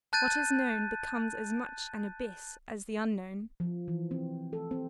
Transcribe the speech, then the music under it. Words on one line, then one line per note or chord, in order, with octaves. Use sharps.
What is known becomes as much an abyss as the unknown.
A5 F#6 G6 A6 D#7
F3
E3
C4
A4
C4